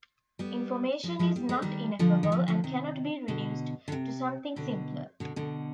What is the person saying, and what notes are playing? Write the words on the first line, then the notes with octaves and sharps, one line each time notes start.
Information is not "ineffable" and cannot be reduced to something simpler.
G3 B3
F3 G#3
F3 G#3
G3
G#3
D#3 G3
D3 F3
D#3
D3 F3
D3 F3
C3 D#3
B2 D3
D3
C3
B2 D3
B2 D3
B2 D3